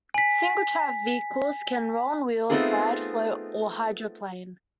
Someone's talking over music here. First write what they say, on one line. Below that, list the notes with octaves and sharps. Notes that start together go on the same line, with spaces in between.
Single-track vehicles can roll on wheels, slide, float, or hydroplane.
G#5 B6
A3 B3 C4 D#4 F4 G#4